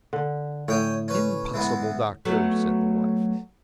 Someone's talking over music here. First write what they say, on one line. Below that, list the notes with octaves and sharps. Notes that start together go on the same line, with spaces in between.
"Impossible, doctor," said the wife.
D3
A2 C#5 G5 G#5
C#4 B4
E3 G#3 B3
F#3 A3 B3